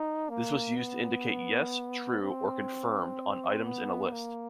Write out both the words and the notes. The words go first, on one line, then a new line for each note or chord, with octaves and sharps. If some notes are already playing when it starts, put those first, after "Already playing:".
This was used to indicate yes, true, or confirmed on items in a list.
Already playing: D#4
A#3
B3
C4
B3
A#3